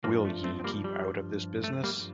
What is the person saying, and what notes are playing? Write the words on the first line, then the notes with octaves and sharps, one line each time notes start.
Will ye keep out of this business?
G2 F3 A#3
A3
A3 C4
C4
G3 A#3
G3
A3
G3 A#3